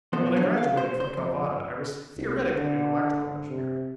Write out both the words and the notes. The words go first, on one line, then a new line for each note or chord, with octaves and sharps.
When I graduated from Calvada I was theoretically an electrical engineer.
B1 F3 B3 A4 C5
D3 F3 F#3
F5
C5
C5
F2
C2
D3
C3